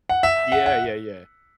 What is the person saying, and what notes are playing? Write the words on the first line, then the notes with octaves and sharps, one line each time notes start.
Yeah, yeah, yeah.
F#5
E5
F#5
F#5